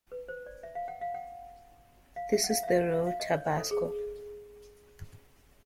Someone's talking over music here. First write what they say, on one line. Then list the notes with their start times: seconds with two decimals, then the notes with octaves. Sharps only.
This is the real tabasco.
0.12 B4
0.29 C5
0.46 D5
0.63 E5
0.75 F5
0.88 F#5
1.01 F5
1.14 F#5
2.16 F5
2.33 E5
2.44 F#5
2.50 F5
2.63 E5
2.68 F5
2.94 E5
3.07 F5
3.20 D#5
3.32 C#5
3.45 C5
3.58 A4
3.71 G#4